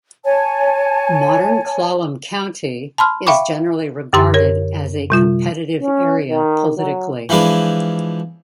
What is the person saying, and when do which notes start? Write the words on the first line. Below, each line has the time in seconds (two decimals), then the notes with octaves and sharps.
Modern Clallam County is generally regarded as a competitive area politically.
0.24 C#5 G#5 A5
2.98 A5 B5 C6 F6
3.27 E5 F5 G5 B5 C#6 D6
4.13 F#2 D3 G4 A#5 C6 A6
4.34 A#4 C#5
5.10 C3 G3 F4
5.81 C#4
6.30 D#3
6.77 F#3
7.29 E3 F3 G#3 D4 B4